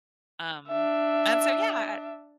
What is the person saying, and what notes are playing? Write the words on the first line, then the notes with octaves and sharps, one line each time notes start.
Um, and so, yeah, ah,
D4 E5